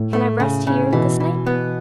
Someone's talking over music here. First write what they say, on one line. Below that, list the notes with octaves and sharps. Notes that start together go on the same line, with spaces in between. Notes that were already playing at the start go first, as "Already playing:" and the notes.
'Can I rest here this night?
Already playing: A2
A3
C#3
C#3
B2 E3
E3
B3